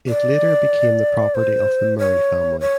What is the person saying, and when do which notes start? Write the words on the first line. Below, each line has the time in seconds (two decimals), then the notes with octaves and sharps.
It later became the property of the Murray family.
0.08 D5
1.35 C5
1.99 C#5
2.61 C#5